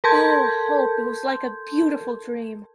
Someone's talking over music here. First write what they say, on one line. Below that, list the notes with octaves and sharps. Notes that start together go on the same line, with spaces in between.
Oh, Hope, it was like a beautiful dream!
A4 A#4 A5 C6 G6 G#6